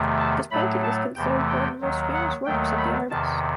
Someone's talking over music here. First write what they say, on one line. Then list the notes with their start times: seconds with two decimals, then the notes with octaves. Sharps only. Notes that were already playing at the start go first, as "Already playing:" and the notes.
This painting is considered one of the most famous works of the artist.
Already playing: E2 C3 D#3 A3
0.19 A5
0.51 A2 F#3 A3 B5
0.83 A5
1.16 E2 C3 E3 A3 G5
1.49 G5
1.81 D#2 D#3 F#3
2.14 F#5
2.46 D#2 D#3 F#3 A3 G5
2.78 B5
3.10 E2 C3 D#3 A5